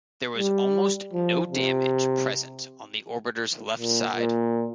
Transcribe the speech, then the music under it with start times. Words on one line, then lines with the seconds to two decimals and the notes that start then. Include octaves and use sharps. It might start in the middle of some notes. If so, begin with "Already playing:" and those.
There was almost no damage present on the orbiter's left side.
0.38 G3
1.13 F3
1.52 C3
3.78 A#2
4.16 A#2